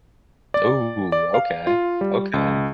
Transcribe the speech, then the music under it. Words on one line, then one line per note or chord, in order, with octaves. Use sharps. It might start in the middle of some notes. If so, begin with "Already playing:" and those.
Ooh, okay, okay.
D5
D5
F5
F4
G3
C#2